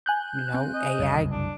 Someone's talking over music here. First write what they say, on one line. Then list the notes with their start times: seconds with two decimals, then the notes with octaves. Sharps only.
you know, AI
0.06 G#5 F#6 G6
0.54 C4
0.74 D#5
0.99 F#1 C2 F2
1.31 D4